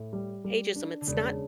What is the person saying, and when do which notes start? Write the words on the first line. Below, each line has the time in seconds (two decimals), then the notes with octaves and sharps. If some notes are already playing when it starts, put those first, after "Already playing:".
ageism it's not
Already playing: A2
0.13 G3
0.44 G3
0.76 D4
1.01 D3
1.07 E1 C#3